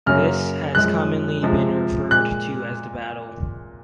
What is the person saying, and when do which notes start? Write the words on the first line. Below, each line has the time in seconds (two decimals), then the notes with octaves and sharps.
This has commonly been referred to as the battle.
0.06 F#2 C#3 F#3 A#3 F6
0.75 F#2 F3 G#3 F#6
1.43 C3 F3 G#3
2.11 A#2 G#3 F#6